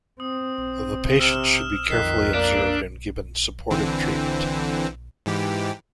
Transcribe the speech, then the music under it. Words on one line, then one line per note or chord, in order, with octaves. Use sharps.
The patient should be carefully observed and given supportive treatment.
C4 D#6
C3 E6 F6 E7
F2 D#3 F#6 B6 C7
A#3 D4
D3 E3 C4
G#2 E3 G4